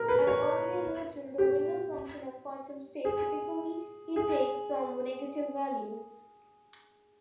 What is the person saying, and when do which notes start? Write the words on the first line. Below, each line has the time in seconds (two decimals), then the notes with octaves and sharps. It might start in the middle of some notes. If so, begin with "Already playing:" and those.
As already noted, the Wigner function of quantum state typically takes some negative values.
Already playing: A#4
0.08 B4
0.27 C#5
1.38 G4
3.05 G#4
4.16 G#4